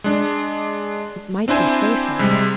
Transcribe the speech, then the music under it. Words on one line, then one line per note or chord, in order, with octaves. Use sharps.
It might be safer.
G#3 D4
C4 D4 E4 C5 G#5
C3 G3 G#3